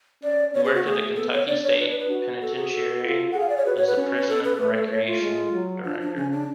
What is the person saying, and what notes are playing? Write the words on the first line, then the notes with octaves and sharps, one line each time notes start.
He worked at the Kentucky State Penitentiary as the prison recreation director.
C#4 D5
B3 C#5
G#4
F#4
A3 G#4
B3 A4
C#5
D4 D5
C#5
B4
B4
B4
F#4
A4
G#4
A4
F4
G#4 F#5
F5
D5
C#5
F#4 B4
C#5
B4
C#4
B4
A4
B4
A4
A3 B4
A4
B4
A3 C#5
F4
G#3
F#3
F3 D4
D4
C#3 C#4
D4